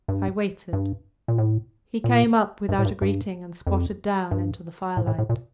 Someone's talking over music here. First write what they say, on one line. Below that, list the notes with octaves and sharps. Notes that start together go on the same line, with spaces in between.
I waited. He came up without a greeting and squatted down into the firelight.
G2
G2
A#2
A2
A#2
G2
A2
G2
G2
F2
G2
A2
A2
A2
A#2